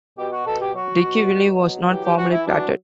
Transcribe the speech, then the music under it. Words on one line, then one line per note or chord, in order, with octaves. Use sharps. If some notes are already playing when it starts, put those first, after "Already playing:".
Dickeyville was not formally platted.
B2 G4
F#4
B2 A4
G4
F#3 F#4
B2
B2
F#3
E3 G4
G4
E3 F#4
E4
F#3 D4